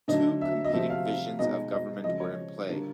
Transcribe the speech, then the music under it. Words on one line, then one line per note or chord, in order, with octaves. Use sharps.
Two competing visions of government were in play.
D3 F#3 A3 D4 D#5
E5
D#5
C3 F3 A3 E5
F5
F5
B2 G#3 B3 D#4 D#5
D#5
C#3 F3 G#3 D#5
C#5
D3 G3 A#3 D4 F4